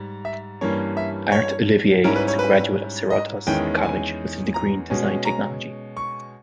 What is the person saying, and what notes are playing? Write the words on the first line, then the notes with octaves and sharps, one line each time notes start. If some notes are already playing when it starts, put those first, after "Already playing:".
Art Olivier is a graduate of Cerritos College with a degree in Design Technology.
Already playing: G#2 G3
E5
G2 E3 G3 A#3 C#4 C#5
E5
C#5
G#2 G3 C#4 E4 A#4
B4
C#5
B4
D#5
E2 D#3 G#3 C#4 E4 G5
G#5
A#5
B2 G#3 C#4
A#5
C#6